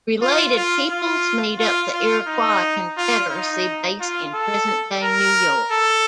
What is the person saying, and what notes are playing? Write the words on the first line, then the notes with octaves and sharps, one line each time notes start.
Related peoples made up the Iroquois Confederacy based in present-day New York.
F4
F4
F4
F4
F4
D#4
F4
D#4
F4
A4
A#4
A4